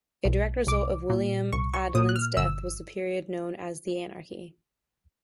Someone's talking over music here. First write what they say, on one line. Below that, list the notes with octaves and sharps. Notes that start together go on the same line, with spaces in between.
A direct result of William Adelin's death was the period known as the Anarchy.
B1
C2 D6
A#2
C2 C#6
C#6
A#2 D#6
F#6
F6
G1 E6